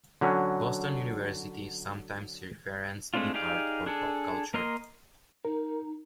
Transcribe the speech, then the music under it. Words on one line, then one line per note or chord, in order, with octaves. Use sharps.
Boston University is sometimes referenced in art or pop culture.
D3 F#3 C#4
G#3 A3 C4 D4 F4
D#4 G4 G#4 D5 F5
D4 G#4 A4
A#3 A#4 D#5 C6
D#4 A#4